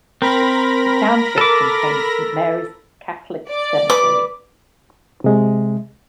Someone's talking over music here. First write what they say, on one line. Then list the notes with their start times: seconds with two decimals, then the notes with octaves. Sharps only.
The township contains Saint Mary's Catholic Cemetery.
0.22 C4 A#4 B5 A#6
1.38 A4 D6
3.49 D5
3.90 B4 D6
5.24 C3 G#3